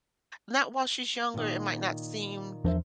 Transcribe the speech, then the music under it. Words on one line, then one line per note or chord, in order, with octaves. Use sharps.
not while she's younger, it might not seem,
A#2 D#3 D#5
E2 F3 D4 A#4 C5 E5